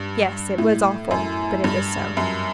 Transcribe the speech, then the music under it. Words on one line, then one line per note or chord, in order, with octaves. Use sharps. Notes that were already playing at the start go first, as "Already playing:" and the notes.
Yes, it was awful, but it was so.
Already playing: G2
A2
F#2
G2
F#2